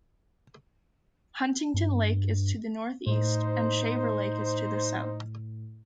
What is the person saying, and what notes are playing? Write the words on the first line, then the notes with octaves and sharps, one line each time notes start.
Huntington Lake is to the northeast and Shaver Lake is to the south.
G2
A2 D#4 C5